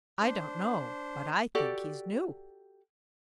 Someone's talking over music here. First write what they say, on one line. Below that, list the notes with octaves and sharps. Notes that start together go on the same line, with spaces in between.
"I don't know, but I think he's new."
D4 C5
F#4 G4 A4 D5